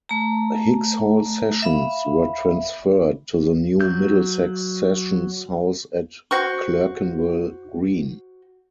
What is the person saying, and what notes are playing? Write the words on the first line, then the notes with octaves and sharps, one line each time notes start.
Hicks Hall sessions were transferred to the new Middlesex Sessions House at Clerkenwell Green.
A3 A#5
E5 F5 B5
F#3 G6
F#4 C5 C#6